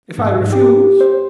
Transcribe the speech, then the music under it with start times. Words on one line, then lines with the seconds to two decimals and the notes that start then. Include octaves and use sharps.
"If I refuse?"
0.18 G#2
0.36 G#2
0.52 G4
1.00 C5